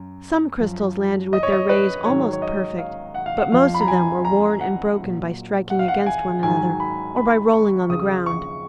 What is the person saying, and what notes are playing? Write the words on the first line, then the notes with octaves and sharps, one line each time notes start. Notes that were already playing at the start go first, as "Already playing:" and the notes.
Some crystals landed with their rays almost perfect, but most of them were worn and broken by striking against one another, or by rolling on the ground.
Already playing: F#2
F#2 F3
D#5
C#5
D#5
B4
G#2 D#3 F#3 C#5
C#5
D#5
F5
F#5
F5
F#5
F2 F3 F5
B5
A#5
G#5
A#5
F#5
A#2 F#3
F#5
F5
F#5
G#5
G#2 D#3 F#3 G#5
B5
B5
C#6
F2 C#3 F3 D#6
C#6